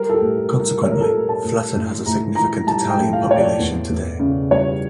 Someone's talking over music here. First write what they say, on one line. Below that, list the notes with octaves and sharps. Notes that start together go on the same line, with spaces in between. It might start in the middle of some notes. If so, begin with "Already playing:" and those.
Consequently, Fletton has a significant Italian population today.
Already playing: G3 A#4
A4
G4
A2
A#4
G3
A#4
A2 C#5
A#4
A4
G3 A#4
A5
A2
A2
A2 A#5
E3 A#5
G3 A5
G5
A2
F5
A2 C#5
D5
E2
E2
C#3
G3 C#5